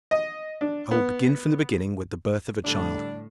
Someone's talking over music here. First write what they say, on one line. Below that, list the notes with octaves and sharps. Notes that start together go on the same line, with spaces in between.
I will begin from the beginning with the birth of a child.
D#5
D4
B3
A2 D3 G3 D4 A4